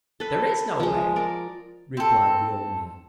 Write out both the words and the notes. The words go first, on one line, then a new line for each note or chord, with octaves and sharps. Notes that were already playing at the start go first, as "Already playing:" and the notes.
"There is no way," replied the old man.
A4 B4
F3 G#3
A#4 D5
C4 A4